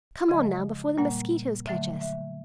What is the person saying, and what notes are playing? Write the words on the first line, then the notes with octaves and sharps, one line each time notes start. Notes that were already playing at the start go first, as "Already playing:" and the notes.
Come on, now, before the mosquitoes catch us!
C#3 F3 G#3 D#5
A#2 G3 A#3 F#5
D3 F#3 A3 E5
E5